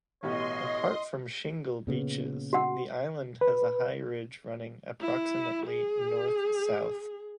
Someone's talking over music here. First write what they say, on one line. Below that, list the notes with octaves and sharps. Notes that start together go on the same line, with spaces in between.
Apart from shingle beaches, the island has a high ridge running approximately north-south.
A1 B2 G4 C#5 D#5 C6
A#2 C#3 B3
F#4 F#5
B4
E4
G#4